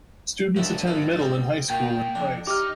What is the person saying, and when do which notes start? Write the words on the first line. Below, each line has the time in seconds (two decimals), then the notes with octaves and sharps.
Students attend middle and high school in Price.
0.56 D#2 G#2 D4 E4 F#5
0.86 G#3 E4 A#4
1.16 B2 C4
1.70 A#2 D#3 A#3 F4 G5
2.15 F2 D4
2.47 D#4 G4 D#5 D6 F6